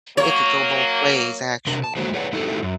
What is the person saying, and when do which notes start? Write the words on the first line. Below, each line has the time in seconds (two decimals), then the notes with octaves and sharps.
it could go both ways actually. Yeah.
0.17 F#3 A#3 C#5
1.67 C3 D4 A#4
1.84 A5
1.96 D3 F#3 G#3 A#3 F#4 C5
2.14 G#4 B4 C#5 D5 F#5
2.33 A3 D#4 E4 F#4 G4 A4
2.63 F#2